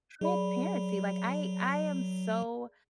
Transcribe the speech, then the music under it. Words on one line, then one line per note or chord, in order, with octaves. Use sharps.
transparency. Like, I I am so,
F#3 G#4 D5 B5